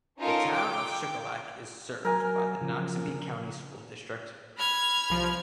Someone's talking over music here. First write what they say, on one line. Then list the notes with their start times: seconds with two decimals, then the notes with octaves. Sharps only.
The Town of Shuqualak is served by the Noxubee County School District.
0.18 C#4 D#4 F4 A4 A#4
0.53 G5 D6
2.05 F#3 A#4 G#5
2.61 C#3 F3
4.56 B5 F6 G#6
5.10 C2 F3